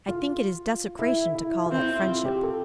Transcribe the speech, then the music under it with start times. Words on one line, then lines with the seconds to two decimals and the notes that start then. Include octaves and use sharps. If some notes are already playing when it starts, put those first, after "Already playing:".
I think it is desecration to call that friendship.
0.08 F4
0.99 E4
1.35 E4
1.66 F4
1.71 C4 E4
1.89 E4
2.08 F4
2.25 G4
2.43 A4